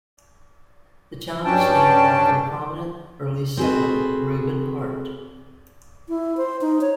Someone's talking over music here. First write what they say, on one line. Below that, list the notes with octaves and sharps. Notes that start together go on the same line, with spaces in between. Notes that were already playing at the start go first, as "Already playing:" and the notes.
The town is named after a prominent early settler, Reuben Hart.
G2 C#4 D4 G5 A5
C4 F#4 G#4 A4 B4
E4
C5
D#4
C#5